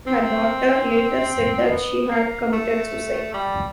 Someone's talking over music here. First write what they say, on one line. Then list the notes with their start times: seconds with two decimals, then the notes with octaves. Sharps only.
Her daughter later said that she had committed suicide.
0.07 C4
1.64 A#3
1.71 B3
2.11 A#3
2.52 A3
3.34 G3